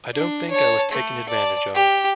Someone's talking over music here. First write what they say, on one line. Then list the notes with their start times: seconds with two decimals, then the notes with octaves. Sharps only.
I don't think I was taken advantage of.
0.15 D4
0.51 C#5 A5
0.92 A3
1.29 D5 A5
1.75 G4